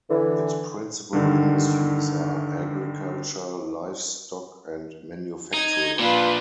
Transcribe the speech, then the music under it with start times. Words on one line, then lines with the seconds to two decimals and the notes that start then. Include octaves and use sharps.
Its principal industries are agriculture, livestock, and manufacturing.
0.10 D3 E3
1.13 G2 D3 D#3
5.54 D#4 G#6
5.99 A#2 D4 F4 B4